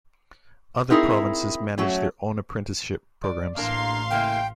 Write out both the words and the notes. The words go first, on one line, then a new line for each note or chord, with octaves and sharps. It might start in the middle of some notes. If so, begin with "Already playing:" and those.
Other provinces manage their own apprenticeship programs.
C4 D#4 E4 G#4 A#4
F#3 A3 C#4
D5
A1 A#3 D4 A#4 F5 C6
C#3 A#3 E4 G5